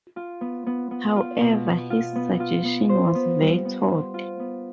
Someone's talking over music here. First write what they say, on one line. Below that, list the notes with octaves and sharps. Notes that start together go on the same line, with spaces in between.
However, his suggestion was vetoed.
F4
B3
B3
B3
F4
B2
B3
F4
B3
F4
B3
C5
B3
G3
B3
C5
F4
B3